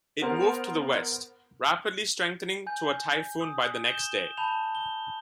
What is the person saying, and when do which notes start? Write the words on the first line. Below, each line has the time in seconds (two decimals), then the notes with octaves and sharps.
It moved to the west, rapidly strengthening to a typhoon by the next day.
0.22 B3 A#4 C5
2.67 G#5 G6
3.41 D#6
3.85 G6 E7 G7
4.37 A5 B5 G6 F7
4.75 G7